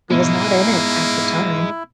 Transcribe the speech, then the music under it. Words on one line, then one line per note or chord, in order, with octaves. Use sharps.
He was not in it at the time.
B2 G#3 A#3 D#4 E4